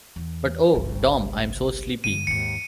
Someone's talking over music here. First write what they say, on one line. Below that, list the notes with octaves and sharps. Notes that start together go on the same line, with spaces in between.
But, oh, Dom, I’m so sleepy.
E2
G1 C2
G2 D3 D#7
D#2 G#2 C#7